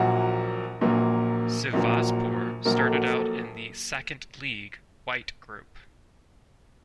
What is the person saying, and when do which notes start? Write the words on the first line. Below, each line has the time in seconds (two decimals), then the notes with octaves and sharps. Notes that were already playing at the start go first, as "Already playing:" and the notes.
Sivasspor started out in the Second League, White Group.
Already playing: A#1 A#2 F#3 A#3 F#4
0.81 A#1 A#2 F#3 A#3
1.73 A#1 A#2 F#3 A#3
2.65 A#1 A#2 F#3 A#3 A#4
2.80 A4
2.94 F#4
3.08 A4